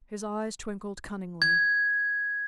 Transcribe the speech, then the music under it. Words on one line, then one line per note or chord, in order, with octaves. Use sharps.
His eyes twinkled cunningly.
G#6